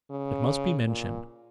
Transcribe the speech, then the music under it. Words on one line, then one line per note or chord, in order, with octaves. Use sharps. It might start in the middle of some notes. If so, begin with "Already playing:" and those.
'It must be mentioned.
C#3
A#2